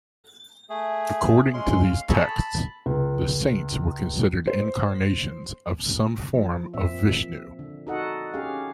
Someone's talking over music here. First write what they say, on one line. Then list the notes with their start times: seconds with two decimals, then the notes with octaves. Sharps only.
According to these texts, the saints were considered incarnations of some form of Vishnu.
0.69 A3 G#4
1.54 G#3 C#4 C6
1.84 F5
2.09 G#4 A4 A#5 B5 C#6 E6
2.22 A5 B5
2.86 C#2
4.47 C5
6.34 F3
6.74 A#2 C4 E5
7.59 D3
7.87 D#4 F#4 A4 D#5 F#5
8.34 C#4 G4 G#4 F5